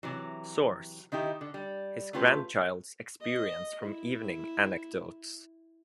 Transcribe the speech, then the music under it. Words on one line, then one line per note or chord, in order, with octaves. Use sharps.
Source: His grandchild's experience from evening anecdotes.
C3 E3 F#3
D#3 D#4 E4 G4
D3
G3
A3 C#4 F4 G4 B4
D#5
E4